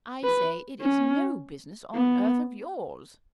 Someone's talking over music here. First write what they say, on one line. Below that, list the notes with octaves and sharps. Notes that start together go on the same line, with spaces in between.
I say it is no business on earth of yours.'
B4
C#4
B3